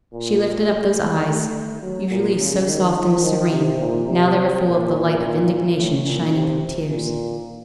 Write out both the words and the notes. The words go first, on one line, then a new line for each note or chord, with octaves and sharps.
She lifted up those eyes, usually so soft and serene; now they were full of the light of indignation shining through tears.
A#2
A3
A3
F#3
A#2
C#3
D#3
F3
D#3
C3
A#2
C3
A#2
A2
A#2
C3
A#2